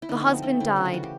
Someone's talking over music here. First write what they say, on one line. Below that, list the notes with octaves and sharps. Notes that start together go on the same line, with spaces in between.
The husband died.
E4
D3 D#4
B3
F3 C4
A3 C4
D3 E4
C#3 F#4
F4
E3 F#4
G4